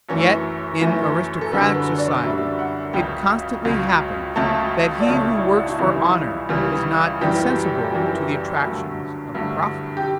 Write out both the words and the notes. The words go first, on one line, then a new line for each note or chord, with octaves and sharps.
Yet in aristocratic society it constantly happens that he who works for honor is not insensible to the attractions of profit.
F#2 E3 A3 C#5
F#2 E3 A3
A4
F#2 D3 G3 B4
B4
C#5
D5
F#2 D3 G3 E5
F#5
C#2 C#3 F#3 G5
C#2 C#3 F#3
C#2 C#3 F#3 A3 A5
D5
C#2 C#3 F#3 A3 C#5
E4
F#4
E4
C#2 C#3 E3 G3
E4
C#2 C#3 E3 G3
F#2 E3 G3 G4
F#2 E3 G3
G2 D3 F#3 A3
G2 D3 F#3 A3
G4